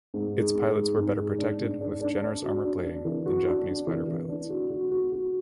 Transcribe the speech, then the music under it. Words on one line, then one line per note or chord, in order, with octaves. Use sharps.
Its pilots were better protected, with generous armour plating, than Japanese fighter pilots.
G#2
G#3
G#2
G#3
G#2
G#3
D4
G#2
D4
D4
D4
F#4
D4
D4
E3
F#4
D4
D4
E3
E3
D4
F#4
F#4
F#4
F#4